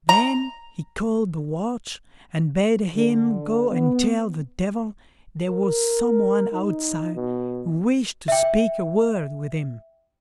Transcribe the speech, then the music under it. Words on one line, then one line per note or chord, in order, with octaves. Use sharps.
Then he called the watch, and bade him go and tell the Devil there was some one outside who wished to speak a word with him.
A#5
D3
B3
A#4
D#4
B2
E5 G5